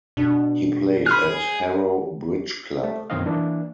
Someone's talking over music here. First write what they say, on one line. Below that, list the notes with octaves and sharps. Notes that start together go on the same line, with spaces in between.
He played at Harrow Bridge Club.
B2 D4
G#4 B5 F6
A3
F#2 B2 D#3 C4 D#5 F5
E3 A#3 D4